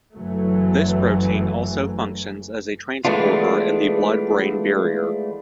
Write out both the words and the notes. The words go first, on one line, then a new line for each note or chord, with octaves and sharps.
This protein also functions as a transporter in the blood-brain barrier.
F#1 E3 F#3 A3
E3 G#3 A3 B3 D4 F4